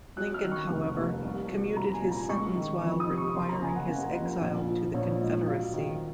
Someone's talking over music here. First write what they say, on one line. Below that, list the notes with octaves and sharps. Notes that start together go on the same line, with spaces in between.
Lincoln, however, commuted his sentence while requiring his exile to the Confederacy.
F#3 F#6
F6
D#3
C#6
F1
D#2
C2
F#3
C2 A#5
G#5
A#2
A#5
G#3 C#6
D#3
F2 C#6
D#6
C3
C#6
F#1 C6
A#5
C#3 G#5
F#5
F#1 F5
F2
A#1
F3
A#1 C#5
G#2
F#3 F5
D#3